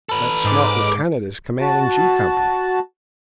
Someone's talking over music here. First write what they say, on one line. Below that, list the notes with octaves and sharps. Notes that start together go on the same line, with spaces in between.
That smart lieutenant is commanding 'G' Company.
A4 B4
G#2 D6
F#4 A5